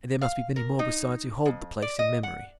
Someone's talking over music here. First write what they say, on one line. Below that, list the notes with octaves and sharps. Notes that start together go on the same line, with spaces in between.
And there must be many more besides who hold the place in memory.
F5
A#4
D#4
F2
D5
D#5
F#5